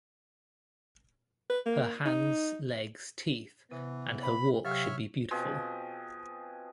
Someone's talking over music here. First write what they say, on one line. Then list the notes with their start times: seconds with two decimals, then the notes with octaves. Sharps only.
Her hands, legs, teeth and her walk should be beautiful.
1.50 B4
1.66 A#3
2.05 D#4
3.71 C3 E3 B3
4.23 B5
4.65 C3 F#3 G4 C#5 E5 F5 F6
5.31 B2 F3 C4 G#4